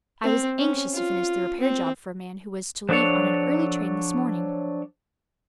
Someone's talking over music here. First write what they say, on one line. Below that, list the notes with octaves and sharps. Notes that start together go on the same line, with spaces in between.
I was anxious to finish the repair job for a man who was to leave on an early train this morning.
C4
C#4
F4
C4
F3 F#3 D4 A4 C#5